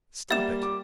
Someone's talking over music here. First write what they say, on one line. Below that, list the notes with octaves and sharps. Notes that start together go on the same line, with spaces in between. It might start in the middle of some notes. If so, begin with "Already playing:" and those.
Stop it!
G3 A#3 E5 F#5 A6 E7
D6